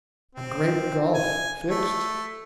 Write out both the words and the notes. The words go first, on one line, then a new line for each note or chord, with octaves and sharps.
A great gulf fixed?
C4
G#5
A3